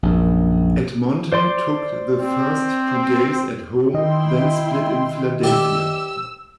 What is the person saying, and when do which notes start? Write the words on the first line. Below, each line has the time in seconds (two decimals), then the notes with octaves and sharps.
Edmonton took the first two games at home, then split in Philadelphia.
0.03 A#1 F#2
1.32 C5 D5 C6
2.18 C4
3.94 D#3 E4 D#5 G5 C6
5.44 G4 D5 E5 E6